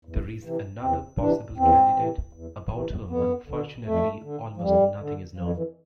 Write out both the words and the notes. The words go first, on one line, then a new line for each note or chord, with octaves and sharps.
There is another possible candidate, about whom, unfortunately, almost nothing is known.
E2
C3 E3
E2 C4
C3 E3 D4
E2 C4
C3 E3
E2
C3 E3
F2 B3
D3
F2 A3
D3
F3
F2 G3
D3
F2 F3
E3